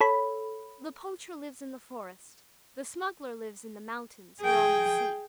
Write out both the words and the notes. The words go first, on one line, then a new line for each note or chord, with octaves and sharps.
The poacher lives in the forest, the smuggler lives in the mountains or on the sea.
A4 C#5 B5
G#4 G5